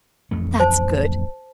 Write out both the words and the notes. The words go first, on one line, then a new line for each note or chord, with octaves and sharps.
That's good.
A1 F2 A3
C5 A5